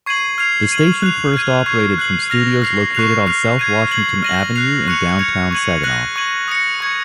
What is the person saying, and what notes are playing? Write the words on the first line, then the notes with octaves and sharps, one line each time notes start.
The station first operated from studios located on South Washington Avenue in Downtown Saginaw.
C#6 G#6 C7 D#7 F#7
F6 G#6 C7 F7
G#6 D#7 F#7
F#6 C7 F7
F6 G#6 D#7
C#6 G#6 C7
F#6 C7 F#7
F6 A#6 F7
F6 C7 F7
C#6 F#6 C7 F7
F6 C7 F7
G#6 C7 D#7
G#6 C7 F#7
F6 A#6 D#7 F#7
F#6 C7 F7
C#6 F#6 C#7 F7
G#6 C#7 F7
C#6 G#6 D#7 F#7
F#6 A#6 D#7 F#7
C#6 G#6 D#7 F#7
D#6 A#6 C#7
C#6 G#6 C#7